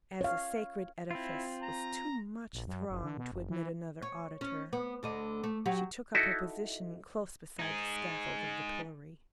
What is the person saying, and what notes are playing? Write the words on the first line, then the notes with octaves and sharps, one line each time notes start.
As the sacred edifice was too much thronged to admit another auditor, she took up her position close beside the scaffold of the pillory.
C#5 F5
C4 E4 F4
A#5
A#1
F#2
F#1
D3
B2
F#1
E3
C#5
C#4
B3
D2 D3 D#5
A3
F#3 G4
D#4 E4 F#4 A4
D#4 G#4